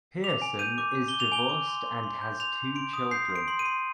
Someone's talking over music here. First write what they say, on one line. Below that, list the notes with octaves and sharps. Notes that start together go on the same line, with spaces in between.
Pearson is divorced and has two children.
D6 F7
G#5
G6 D#7
D6
G6
G7
D6
F7
G#5 G7
D6
C6
C6
C6
G6
C6 F7
C6
C6 D7
D#6
G6 C7
C6
D7
C6
D#7
C6